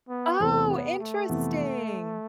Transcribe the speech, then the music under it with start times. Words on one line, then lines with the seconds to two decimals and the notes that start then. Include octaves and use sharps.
Oh, interesting!
0.09 B3
0.39 E2 C3 E3 A3 C4
0.69 B3
0.99 A3
1.29 F2 C3 E3 B3